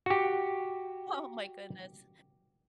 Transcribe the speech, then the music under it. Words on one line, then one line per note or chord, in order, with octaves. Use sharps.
Oh my goodness.
F#4 G4